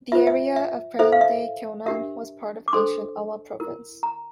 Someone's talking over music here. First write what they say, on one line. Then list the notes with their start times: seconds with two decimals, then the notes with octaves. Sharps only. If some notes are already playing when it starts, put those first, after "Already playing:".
The area of present-day Kyonan was part of ancient Awa Province.
0.12 F4 C5 E5
0.27 E5
0.56 E5
0.99 E4 A4 C5 E5
1.12 F5
1.21 E5
1.86 D4 G4 A#4 E5
2.68 D6
2.73 D4 A4 C5 C6
3.60 E4 A#4
4.03 A#5